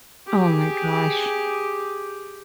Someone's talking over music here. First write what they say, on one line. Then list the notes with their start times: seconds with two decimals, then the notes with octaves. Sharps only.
Oh my gosh.
0.27 G4 G#4